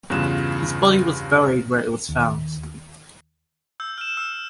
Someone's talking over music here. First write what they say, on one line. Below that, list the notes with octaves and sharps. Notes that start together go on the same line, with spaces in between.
His body was buried where it was found.
E2 G2 C#3 F4 F#6 E7
D#2
E6 G6
F6 E7
E6